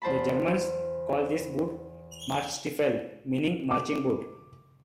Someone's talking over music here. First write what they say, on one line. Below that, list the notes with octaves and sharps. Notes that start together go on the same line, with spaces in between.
The Germans call this boot "Marschstiefel", meaning "marching boot".
E2 C5 A5 B5
D6